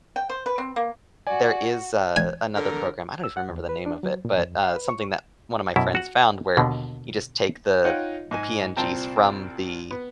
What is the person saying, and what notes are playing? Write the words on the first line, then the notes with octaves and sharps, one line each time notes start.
there is a another program- I don't even remember the name of it, but, uh, something that one of my friends found where, you just take the the PNGs from the
G5
C5
B4
C4
A#3
F#4 D5 G#5
G#5
D3 A#4
E6
F#5
E2
B4
D4
F#3
A#2
F2
F5
B4
C#6
F#2 B2 E4
F#4 F#5
D#2 B2 D3
D#4 F4 C#5 D#5 F#5 G5
G#2 D#5 G#5
C2 A#2 C4 G5 A5 A#5
B3